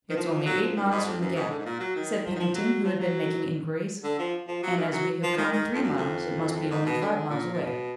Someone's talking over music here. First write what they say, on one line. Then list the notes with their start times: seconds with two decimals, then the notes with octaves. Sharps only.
"It's only eight miles from the gap," said Pennington, who had been making inquiries, "and as we have come three miles it must be only five miles away."
0.10 D#3
0.16 F3
0.45 F#3
0.61 F3
0.76 D#3
0.84 F#2
0.91 G#2
1.05 F2
1.21 F#2
1.35 G#2
1.50 D3
1.59 G#2
1.65 A#2
1.80 F#3
1.95 D#3
2.25 F3
2.35 D#3
2.39 F3
2.54 F#3
2.84 F3
2.99 F#3
4.04 D3
4.19 F3
4.47 F3
4.63 F#3
4.77 D#3
4.92 F#3
5.23 F3
5.37 D#3
5.52 D#3
5.73 F2
5.82 F#2
5.97 F2
6.70 G#2
6.86 B2
7.01 D3
7.30 A#2
7.53 A#2
7.61 B2